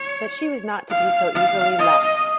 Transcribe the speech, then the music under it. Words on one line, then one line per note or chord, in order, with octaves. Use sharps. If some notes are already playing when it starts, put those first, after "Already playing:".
But she was not to be so easily left.
Already playing: C#5
F5
F5
D#5